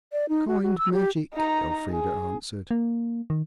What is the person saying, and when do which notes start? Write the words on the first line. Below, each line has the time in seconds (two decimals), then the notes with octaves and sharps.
"Kind magic," Elfrida answered.
0.12 D5
0.29 D#4
0.48 F#4
0.63 F#4
0.78 E6
0.92 G4
1.34 D#4 A#5
1.90 G#4
2.71 A#3
3.30 D#3